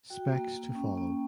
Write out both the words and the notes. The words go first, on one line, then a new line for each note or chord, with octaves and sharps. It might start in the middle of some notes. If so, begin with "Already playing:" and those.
Specs to follow.
F#4 G5
A#3
A#3
C#4
A#3 G5